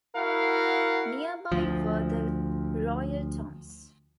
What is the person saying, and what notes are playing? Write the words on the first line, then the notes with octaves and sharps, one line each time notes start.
Near by were the royal tombs.
E4 F#4 A#4 F5 F#5
D2 F3